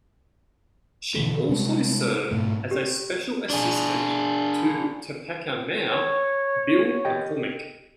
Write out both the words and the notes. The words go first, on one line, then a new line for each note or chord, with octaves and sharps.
She also served as a Special Assistant to Topeka Mayor Bill McCormick.
B2 D3 E3
C3 G3 G#3
G#2 B2 A3
G4
D4 G#4
C#5
G4 D#5 G5